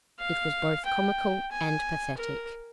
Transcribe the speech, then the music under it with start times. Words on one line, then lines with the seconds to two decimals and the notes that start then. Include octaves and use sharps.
It was both comical and pathetic.
0.19 F5
0.85 G5
1.51 G#5
2.17 A#4